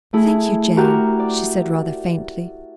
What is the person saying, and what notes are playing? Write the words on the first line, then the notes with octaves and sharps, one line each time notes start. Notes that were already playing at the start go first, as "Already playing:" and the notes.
"Thank you, Jane," she said rather faintly.
A3 E4 G#4
E4 F#4 G4 A#4
D5